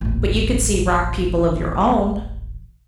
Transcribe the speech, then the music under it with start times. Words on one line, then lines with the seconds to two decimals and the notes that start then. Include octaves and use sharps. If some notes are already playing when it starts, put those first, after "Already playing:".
But you could see rock people of your own.
0.01 D#1 A1